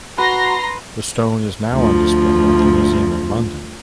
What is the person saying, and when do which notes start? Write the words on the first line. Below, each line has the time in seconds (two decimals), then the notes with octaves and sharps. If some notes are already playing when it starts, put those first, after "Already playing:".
The stone is now on display at the Museum of London.
0.18 F#4 B4 A#5 C6 A#6
1.73 D2 F3